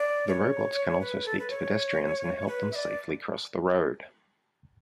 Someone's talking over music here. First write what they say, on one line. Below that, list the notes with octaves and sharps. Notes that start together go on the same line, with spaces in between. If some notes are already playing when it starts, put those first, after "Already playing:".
The robots can also speak to pedestrians and help them safely cross the road.
Already playing: D5
C#5
B4
A4
B4
C#5
B4
E5
D5